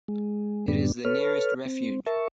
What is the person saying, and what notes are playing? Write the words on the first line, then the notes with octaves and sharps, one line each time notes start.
It is the nearest refuge.
G#3
F#2 A2 D3 G3 B3 D4
A4 B4 C#5 F6
C4
A#4 E5 A5 C#6